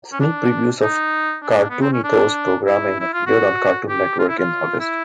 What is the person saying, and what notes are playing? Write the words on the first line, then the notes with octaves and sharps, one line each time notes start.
Sneak previews of Cartoonito’s programming appeared on Cartoon Network in August.
C#4
D4
D#4
D4
B3
C4
C#4
D4
E4
E4
F4
F#4
G4
F4
E4
F4
E4